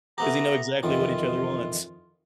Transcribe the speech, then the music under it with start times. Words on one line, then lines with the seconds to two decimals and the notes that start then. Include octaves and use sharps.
'cause you know exactly what each other wants.
0.18 A3 B3 G4 A#5
0.83 F2 D#3 E3 F4